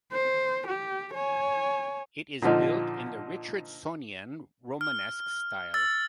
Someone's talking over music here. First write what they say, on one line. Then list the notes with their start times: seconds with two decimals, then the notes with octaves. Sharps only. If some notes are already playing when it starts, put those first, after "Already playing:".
It is built in the Richardsonian Romanesque Style.
0.12 C5
0.66 G4
1.13 C#5 G#5
2.42 A#2 D3 F3 D#4
4.81 F6
5.74 E6 A6